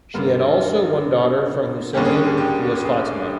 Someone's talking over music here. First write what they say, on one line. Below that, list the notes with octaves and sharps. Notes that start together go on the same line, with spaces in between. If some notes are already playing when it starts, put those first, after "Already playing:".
She had Also one daughter from Husayn who was Fatimah.
G2 D3 G3 A#3 A#4
D#2 D3 G3 A#3 C#4 G4
G#4
G4
G#4
G4
G#4